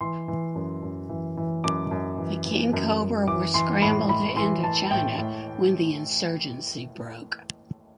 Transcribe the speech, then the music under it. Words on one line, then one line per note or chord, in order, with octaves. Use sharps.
The Kingcobra were scrambled to Indochina when the insurgency broke.
E3 C6
E3
F#2
F#2
E3
E3
F#2 D6
F#2
E3
E3
F#2
F#2
E3 D6
E3 C6
A2 B5
A2 B5
E3 C6
E3 A5
A2 G5
A2